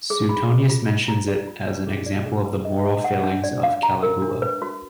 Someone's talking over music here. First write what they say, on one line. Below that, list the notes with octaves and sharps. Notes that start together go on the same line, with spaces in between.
Suetonius mentions it as an example of the moral failings of Caligula.
G#4
B5
G#4
F4
F4
A#5
D5
F4
B4
G#4
D5
G#4
B4
D#5
D#5
F#5
D4
D5
F5
A#5
A#4
D4
B4
F#4